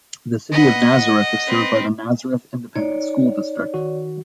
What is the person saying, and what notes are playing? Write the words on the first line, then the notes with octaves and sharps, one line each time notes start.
The city of Nazareth is served by the Nazareth Independent School District.
B4 D#5 F#5
F#5
C4 B4
D#4 C#5 D5
D#3 F#4